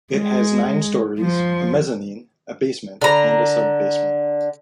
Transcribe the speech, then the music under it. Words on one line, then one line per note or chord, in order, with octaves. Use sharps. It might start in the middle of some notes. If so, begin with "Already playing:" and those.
It has nine storeys, a mezzanine, a basement and a sub-basement.
G#3
F3
D3 A#5